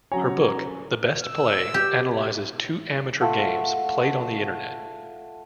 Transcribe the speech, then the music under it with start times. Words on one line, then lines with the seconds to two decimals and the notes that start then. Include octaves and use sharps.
Her book, The Best Play, analyzes two amateur games played on the internet.
0.12 C#3 F#3 C#5 G#5 A#5
1.23 E6
1.74 G4
3.21 A3 F4 F#5 E6